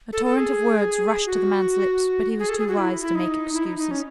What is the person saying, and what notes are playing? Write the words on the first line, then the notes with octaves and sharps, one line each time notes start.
A torrent of words rushed to the man's lips, but he was too wise to make excuses.
A4
A4
G#4
F#4
G#4
A4
G#4
F#4
E4
E4
D#4
E4
D#4
D#4
C#4